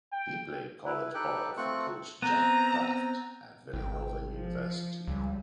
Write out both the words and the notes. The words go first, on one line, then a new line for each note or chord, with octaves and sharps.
He played college ball for coach Jack Kraft at Villanova University.
G5
E4 B4
D#4 G4 A4 B4 G5 F#6
A3 C4 F4 C#6 F#6
B3 C4 A#5
G#1 G5
F3
C#2 G3